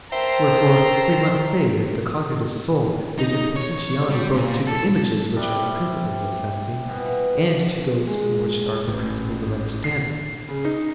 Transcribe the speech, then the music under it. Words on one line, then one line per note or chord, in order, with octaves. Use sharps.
Wherefore we must say that the cognitive soul is in potentiality both to the images which are the principles of sensing, and to those which are the principles of understanding.
A#4 C5 E5 G5 A5 A#5
D#4
C#5
G3
A#2
A4
C3 G3 D4 E5
B2 E3
G#3
A1
C7
C#3
D#4